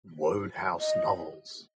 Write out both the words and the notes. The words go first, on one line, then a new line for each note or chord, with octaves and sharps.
Wodehouse novels.
D#5